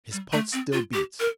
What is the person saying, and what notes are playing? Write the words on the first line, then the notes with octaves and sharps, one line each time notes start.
His pulse still beats.
G3
A3
C4
F4
G4
A#4